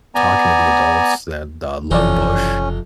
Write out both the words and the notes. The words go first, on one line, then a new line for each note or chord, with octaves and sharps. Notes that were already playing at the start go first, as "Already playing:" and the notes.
talking to the adults that, uh, loved Bush,
B3 D5 G#5 A#5
F#1 F2 C3 E3 C#4 D#4 D5